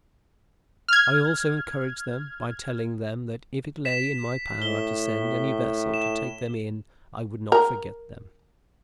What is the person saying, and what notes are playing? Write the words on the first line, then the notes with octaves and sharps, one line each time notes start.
I also encouraged them, by telling them that if it lay in my power to send any vessel to take them in, I would not forget them.
F6 G#6
B6 E7
A2 G7
E7
A#4